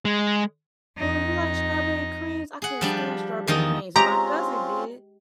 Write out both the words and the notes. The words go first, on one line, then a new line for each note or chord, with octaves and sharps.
Oh, you like strawberry creams? I couldn't stand strawberry creams. My cousin did.
G#3
F2 D#4
G#4 F#5
F3 G3 D4
E2 D#3 F3 D#4
G#3 C4 C#4 F4 G4 A#5